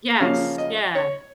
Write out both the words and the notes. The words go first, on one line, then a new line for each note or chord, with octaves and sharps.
Yes, yeah.
C#3 F3 A#3 C#4 F5
D#5
C#5